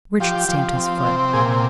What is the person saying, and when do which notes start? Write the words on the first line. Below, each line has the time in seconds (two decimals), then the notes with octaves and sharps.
Richard stamped his foot.
0.20 F3 G4
0.49 F3
0.77 C4
1.06 C3
1.33 A#2 G#4